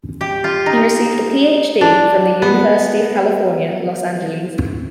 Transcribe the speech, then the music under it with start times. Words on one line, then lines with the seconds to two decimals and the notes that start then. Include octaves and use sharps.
He received a Ph.D. from the University of California, Los Angeles.
0.21 G4
0.44 F4
0.66 D#4
1.81 D4
2.42 B3